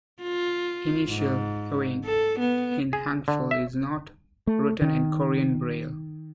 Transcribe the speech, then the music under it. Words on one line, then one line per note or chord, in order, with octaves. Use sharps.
Initial "ieung" in hangul is not written in Korean Braille.
F4
G#2
A4
B3
G#4
D3
E5
A3
D#3